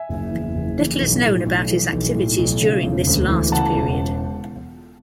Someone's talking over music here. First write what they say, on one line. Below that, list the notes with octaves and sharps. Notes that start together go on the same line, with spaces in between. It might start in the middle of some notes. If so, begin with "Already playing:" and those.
Little is known about his activities during this last period.
Already playing: E5 G#5
F#1
E2
F#1
E3
B1
A2
B1
E3
B1
A2
B1
C#3
E1
D2
E3
C#3 F#5 A5
E1